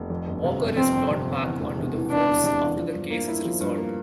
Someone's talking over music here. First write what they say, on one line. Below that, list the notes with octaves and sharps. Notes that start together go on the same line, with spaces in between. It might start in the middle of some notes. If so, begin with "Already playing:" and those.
Walker is brought back onto the force after the case is resolved.
Already playing: F1
F2
G1
C3
G1
F2 C4
G1
C3
G1
E2
E1
C3
E3
E2 D4
E1
C3
E3
F3
G2
A#3
E4
F3
G2
A#3